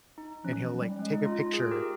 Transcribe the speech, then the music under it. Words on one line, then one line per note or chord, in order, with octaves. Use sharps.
and he'll, like, take a picture,
D#4
F3 C#4
F3
G3
G#3 C#4
D#4
F4
F4
G#4
G4 A#4